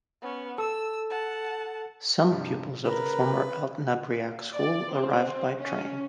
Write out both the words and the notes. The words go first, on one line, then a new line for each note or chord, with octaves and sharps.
Some pupils of the former Altnabreac School arrived by train.
B3 C#4
A4 E6
F#5 A5
G2 C3 F3
C#3 A#4 B4
D5
C4
C#4